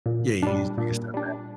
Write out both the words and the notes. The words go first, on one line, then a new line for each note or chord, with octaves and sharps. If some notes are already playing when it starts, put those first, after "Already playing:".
Yeah. You used to go step back.
A#2
G3 D4
A#2
G3 D4